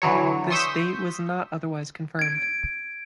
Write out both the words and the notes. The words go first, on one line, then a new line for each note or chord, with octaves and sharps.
This date was not otherwise confirmed.
D3 E3 F#3 C#5
C6 C#6 D#6 E6 G6 B6
G#6 D7